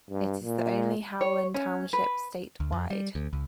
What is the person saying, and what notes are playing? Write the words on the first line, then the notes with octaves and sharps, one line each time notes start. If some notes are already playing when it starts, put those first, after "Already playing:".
It is the only Howland Township statewide.
G2
A#2
C#5
C#4
B4
D2
F2
G3
D2
C#2